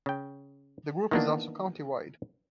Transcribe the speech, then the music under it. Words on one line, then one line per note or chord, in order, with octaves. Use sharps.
The group is also countywide.
C#3 G5
D#3 E3 A#3 B3 D4